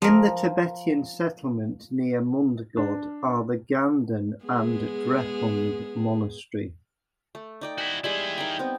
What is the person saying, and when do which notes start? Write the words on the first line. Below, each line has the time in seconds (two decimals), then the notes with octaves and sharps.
In the Tibetan settlement near Mundgod are the Ganden and the Drepung Monastery.
0.02 F3 A#4
2.77 D4
4.45 G#3 B3 G#4
7.35 A3
7.61 D#4 D5 G5
7.78 E4 F#4 G#5
8.04 G3 G#3 E4 G4 G#4
8.38 D#4 A#4 G5
8.59 B3 C4